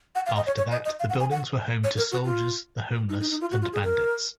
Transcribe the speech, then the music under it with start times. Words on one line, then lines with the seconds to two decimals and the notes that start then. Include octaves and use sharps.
After that, the buildings were home to soldiers, the homeless, and bandits.
0.15 F#5
0.26 F5
0.36 D#5
0.47 C#5
0.58 C#5
0.72 D#5
0.85 D#5
1.00 F5
1.10 F#5
1.20 G#5
1.31 F#5
1.84 C#5
1.98 A#4
2.12 F#4
2.25 F4
3.09 D#4
3.21 D#4
3.31 D#4
3.41 F4
3.52 F#4
3.62 F4
3.73 G#4
3.84 A#4